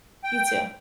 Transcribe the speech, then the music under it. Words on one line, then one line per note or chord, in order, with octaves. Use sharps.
You too.
G5